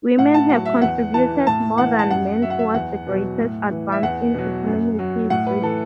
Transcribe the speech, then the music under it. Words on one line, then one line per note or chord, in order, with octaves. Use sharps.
Women have contributed more than men towards the greatest advance in economic history.
A2 F#5
A5
F#3 F#5
E5
E2 F#5
E3 A5
A2 A5
E3 F#5
A5
F#2 F#5
F#3 E5
F#5
E5
E2 F#5
B2 F#3
A2
E3
E5
E2 F#5
B2 F#3
F#2
F#3
A2 F#5
B4
E3 A4